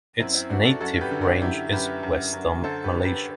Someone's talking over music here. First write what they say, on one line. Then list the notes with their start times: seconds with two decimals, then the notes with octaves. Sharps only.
Its native range is Western Malesia.
0.20 F#2 C4 E4
0.35 C4 E4
0.50 F#2 D4 F#4
0.65 F#4 A4
0.81 F#2 F#4 A4
1.01 G4 B4
1.11 D3
1.21 D4 F#4
1.42 F#2 E4 G4
1.72 F#2 G4 B4
2.03 F#2
2.33 F#2
2.64 D3 A4 C5
2.84 G4 B4
2.94 D3
3.04 G4 B4